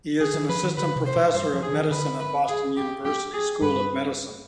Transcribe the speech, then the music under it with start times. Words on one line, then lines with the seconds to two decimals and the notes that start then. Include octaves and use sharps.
He is an assistant professor of medicine at Boston University School of Medicine.
0.20 D#3 G#4
0.34 D#3
0.49 F3 B4
0.63 D#3
0.77 D3 B4
0.96 C3
1.06 C5
1.16 B2
1.34 G2 C5
1.53 F3
1.63 G#4
1.69 D3
1.73 D#3
1.91 D3 B4
2.19 B4
2.48 G#4
2.77 G4
3.05 G4
3.33 G#4
3.62 G2 B4